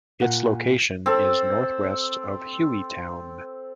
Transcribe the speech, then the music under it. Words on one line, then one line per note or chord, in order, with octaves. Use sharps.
Its location is northwest of Hueytown.
A#2 F#5
C4 A4